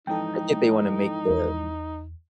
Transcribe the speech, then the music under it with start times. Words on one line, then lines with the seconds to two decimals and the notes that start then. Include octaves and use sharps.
I think they wanna make the
0.07 F2 G#2 E3 D#4 A4 G5
1.30 E2